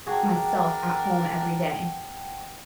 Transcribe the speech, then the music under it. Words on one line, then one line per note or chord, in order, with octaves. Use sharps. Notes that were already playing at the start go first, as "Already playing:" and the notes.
myself at home every day,
D4 F#4 G#4 A#4 F#5 G5 A5